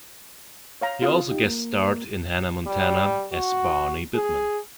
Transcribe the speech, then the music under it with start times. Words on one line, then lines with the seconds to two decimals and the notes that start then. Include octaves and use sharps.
He also guest-starred in "Hannah Montana" as Barny Bittmen.
0.81 C#5 F5 A#5
1.02 C4 F4 F#4 A4 F5 D#6
1.31 D#4 G4
1.45 A#3
2.67 G3
3.32 F#4
4.14 G#4